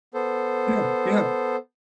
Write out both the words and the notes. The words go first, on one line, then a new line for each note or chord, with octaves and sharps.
Yeah, yeah.
B3 A4 C5